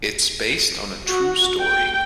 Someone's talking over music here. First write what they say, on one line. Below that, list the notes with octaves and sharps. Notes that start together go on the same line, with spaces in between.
It's based on a true story.
F#4
G5